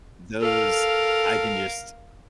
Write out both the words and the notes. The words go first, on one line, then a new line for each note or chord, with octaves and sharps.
Those, I can just
A4 A#4 F5